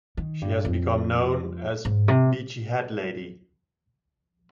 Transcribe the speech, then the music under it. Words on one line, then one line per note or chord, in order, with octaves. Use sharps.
She has become known as Beachy Head Lady.
D#3
G2
F2
G#2
C3